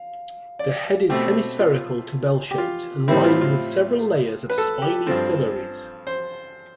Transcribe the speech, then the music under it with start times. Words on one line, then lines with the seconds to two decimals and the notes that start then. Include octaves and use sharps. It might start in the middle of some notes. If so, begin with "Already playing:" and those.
The head is hemispherical to bell-shaped and lined with several layers of spiny phyllaries.
Already playing: F5
0.59 D5
1.10 B2 A3 C4 G4
1.59 F4
2.51 G4
2.58 F4
3.08 A2 G3 C4 E4
3.24 F4
3.41 F4
4.50 B4
4.58 A4
4.82 G4
5.07 G2 F3 C4 A4
6.07 C5